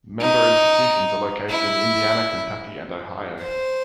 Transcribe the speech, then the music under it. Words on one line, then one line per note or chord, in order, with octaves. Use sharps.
Member institutions are located in Indiana, Kentucky and Ohio.
D#4
E4
C5